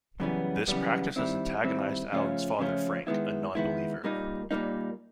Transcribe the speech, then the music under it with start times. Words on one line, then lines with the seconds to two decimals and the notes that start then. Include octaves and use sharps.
This practice has antagonized Alan's father Frank, a non-believer.
0.20 F#2 C#3 E3 G3 B3
0.67 F#2 C#3 E3 G3 B3
1.16 D#3 G3 C4 E4
1.64 D#3 G3 C4 E4
2.12 C#3 F3 A3 C#4 F4
2.59 C#3 F3 A3 C#4 F4
3.07 D#3 G#3 B3 E4
3.55 D#3 G#3 B3 E4
4.04 A#2 G3 A#3 D#4
4.51 A#2 G3 A#3 D#4